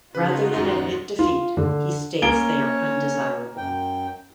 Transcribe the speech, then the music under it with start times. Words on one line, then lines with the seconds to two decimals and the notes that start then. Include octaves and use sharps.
Rather than admit defeat, he states they are undesirable.
0.15 C#3 D#4 F4 F#4 B4
0.54 D#1 F#2 F#3
1.19 F4
1.57 D3
2.22 A#3 C#4 C#5 D7 G7
3.57 F#2 G5